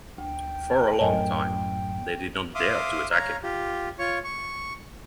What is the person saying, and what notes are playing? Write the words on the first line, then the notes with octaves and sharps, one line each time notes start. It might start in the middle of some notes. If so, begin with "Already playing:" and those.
For a long time, they did not dare to attack him.
D2 G5
F#2 A2 A#4 D#5 G#5
E5 F5 C6 D6 D#6
C#5 F5 A#5
F4 G4
F4 C#5 C#6
C#6